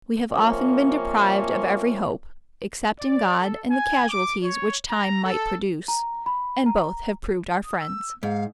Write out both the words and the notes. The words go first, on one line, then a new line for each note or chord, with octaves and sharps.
We have often been deprived of every hope, except in God and the casualties which time might produce, and both have proved our friends.
C3 F3 A#3 C#4
D5
A4
G#5
D6
C#5
A#5
A4
A#5
B5
A#5
D#6
E6
G#2 F5